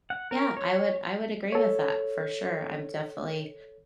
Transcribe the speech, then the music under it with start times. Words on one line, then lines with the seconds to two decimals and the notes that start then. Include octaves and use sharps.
Yeah, I would I would agree with that, for sure, I'm definitely
0.10 F#5
0.31 A#4
0.57 C#5
1.52 A4 C#5